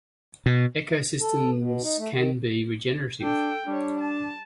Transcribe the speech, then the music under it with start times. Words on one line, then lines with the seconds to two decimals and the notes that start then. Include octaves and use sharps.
Ecosystems can be regenerative.
0.46 B2
1.21 A4
1.58 B2
1.83 D#4
1.98 A3
2.15 D#3
3.22 D4 A4 G5
3.67 G3 D4 C#5
4.00 A5